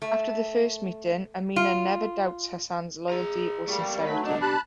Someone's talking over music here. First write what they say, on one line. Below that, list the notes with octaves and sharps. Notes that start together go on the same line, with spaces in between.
After the first meeting, Aminah never doubt's Hassan's loyalty or sincerity.
A3
F4
E4 G#4 A#5
G3 A3 A#3
F#3 A3 D#4 B4
B1 D4 D#5
G4 A5 B5 F#6